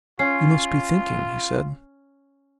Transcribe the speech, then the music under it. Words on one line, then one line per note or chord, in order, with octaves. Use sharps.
"You must be thinking," he said.
C#4 F4 C7